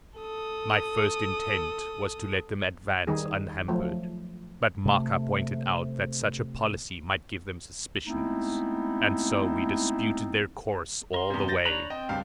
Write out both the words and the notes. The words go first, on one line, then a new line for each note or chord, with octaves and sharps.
My first intent was to let them advance unhampered; but Maka pointed out that such a policy might give them suspicions, and so we disputed their course all the way.
A4 D#6
D#3 G3 D#4 G#4
F3 F#3 A3
C3 A3
G#3 A3 B3 C4 D#4 E4
A#4 C6
E2 C3
G6 A6 A#6
D4 C#5 A#5 B5 F#6
C4 D#5 G5
C#2 G2 F5